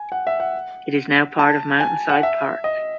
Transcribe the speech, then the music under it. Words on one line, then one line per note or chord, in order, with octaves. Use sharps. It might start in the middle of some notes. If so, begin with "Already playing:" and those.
It is now part of "Mountain Side Park".
Already playing: G#5
F#5
E5
F#5
A5
G#5
F#5
E5
D#5